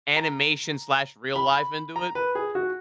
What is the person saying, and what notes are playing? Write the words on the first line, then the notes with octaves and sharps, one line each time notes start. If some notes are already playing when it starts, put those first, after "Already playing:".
"Animation slash real life into it."
A#5
B5
A#5
B4
G#4
F#4